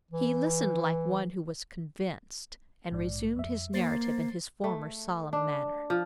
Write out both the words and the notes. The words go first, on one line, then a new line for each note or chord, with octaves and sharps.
He listened like one who was convinced, and resumed his narrative in his former solemn manner.
E3
A#1 G#2 D5
F2 E5
A#3 C5 A6 C7
A3
D4
F3